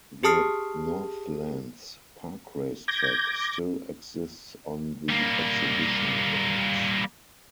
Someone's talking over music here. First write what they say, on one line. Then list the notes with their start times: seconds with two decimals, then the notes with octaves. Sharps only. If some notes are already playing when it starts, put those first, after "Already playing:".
The Northlands Park race track still exists on the exhibition grounds.
0.23 G4 G#4 A5 D#6 F6 C7
2.88 D6 G6 G#6 A#6
5.09 G3 A#3